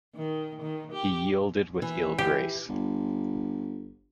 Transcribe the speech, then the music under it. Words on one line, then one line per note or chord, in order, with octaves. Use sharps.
He yielded with ill grace.
D#3
D#3
G4
E3
G4
G1